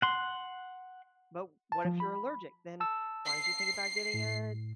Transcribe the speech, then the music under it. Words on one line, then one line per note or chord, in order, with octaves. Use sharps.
but what if you're allergic, then why don't you think about getting a
F#5 C6
A5
F3
B5
A5 E6
C7
A2